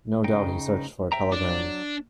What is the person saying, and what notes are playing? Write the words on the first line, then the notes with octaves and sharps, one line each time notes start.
No doubt he searched for a telegram.
C#3 D#4 G5
E5 G5 A#5
F#3 D4 D5 D6